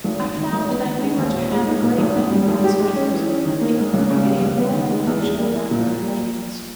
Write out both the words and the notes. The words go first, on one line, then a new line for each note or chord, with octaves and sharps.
I found that we were to have a great many passengers, including a more than usual number of ladies.
G#1
G#2
D#3
G#1
B3
D#3
G#3
D#2
A#2
G#3
D#4
A#2
G#1
G#2
G3
G#1
G4
G#3
C#4
E3
C#4
D#3
A#3
G#2
C#2
C#3
G3
C#2
B3
D#3
G#3
E2
G#4
A#3
E4
A#2